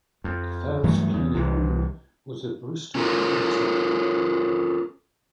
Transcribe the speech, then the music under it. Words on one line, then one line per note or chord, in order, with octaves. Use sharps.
The first plane it owned was a Bristol Freighter.
F2
G2 E3 F#3 A3
E2
C2 C3 E3
C#4 F4 A4 A#4